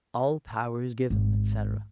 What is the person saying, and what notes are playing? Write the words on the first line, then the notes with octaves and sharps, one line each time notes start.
"All power is given," etc.
G#1